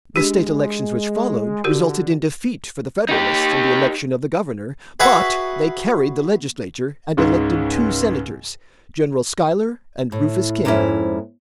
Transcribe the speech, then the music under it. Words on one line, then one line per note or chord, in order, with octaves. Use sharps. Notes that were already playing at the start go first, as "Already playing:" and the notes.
The state elections which followed resulted in defeat for the Federalists in the election of the governor, but they carried the legislature and elected two senators,--General Schuyler and Rufus King.
G#3 D4 G4
D3 F#4 G4 A#4
D#4 G4
F#4 G#4 B4 E5 F#5
C#2 G#2 C#3
A2
F2 G#2 A#3 C#4 E4